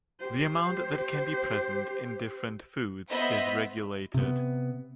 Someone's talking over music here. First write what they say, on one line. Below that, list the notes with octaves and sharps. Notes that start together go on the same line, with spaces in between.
The amount that can be present in different foods is regulated.
G4 C5
B3 C5 D#5 E5 B5
C3 B3